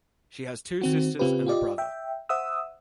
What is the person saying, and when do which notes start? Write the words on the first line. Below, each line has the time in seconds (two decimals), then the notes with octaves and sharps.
She has two sisters and a brother.
0.81 D#3 C4 F#4
1.19 C#3 C4 F4 G4 B4
1.46 F4 G4 D5 D#5
1.78 E5 G5
2.29 C5 E5 F#5 D#6 E6